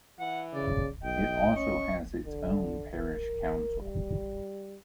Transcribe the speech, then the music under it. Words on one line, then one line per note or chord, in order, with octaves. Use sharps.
It also has its own Parish Council.
E3 F#5
C#3 D5
B1 D#5 G5
C#4 C#6
D3
A#4
G3